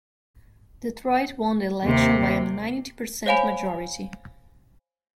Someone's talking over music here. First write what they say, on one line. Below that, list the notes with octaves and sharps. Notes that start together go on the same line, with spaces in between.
Detroit won the election by a ninety percent majority.
D#2 C3
C5 C#5 F5 G#5 B5